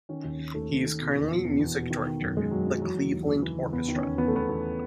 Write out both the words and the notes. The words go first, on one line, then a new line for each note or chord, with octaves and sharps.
He is currently music director of the Cleveland Orchestra.
D#3 C#4
D#2
D#3
D#2 A3
D#2
D#3
B2
E2
B2
E2
E2
B2
D#3
D#3
F#2
F#2 G#3
F#2 F#3
D#3 F#3
E3 F#3
E3
D#2
C#3
E3
C#3
E2 B3
D#3
C#4
E2
E2 B3
A3
E2 B3
E2